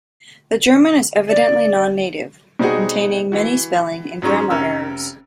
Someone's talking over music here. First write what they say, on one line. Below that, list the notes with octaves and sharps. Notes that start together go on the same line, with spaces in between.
The German is evidently non-native, containing many spelling and grammar errors.
D5
B2 G3 C4 D#4 F#4 G#4
E3 F#4
G#2 F#3 C#4 A#5 C#6
F1 C#4 A#4 E6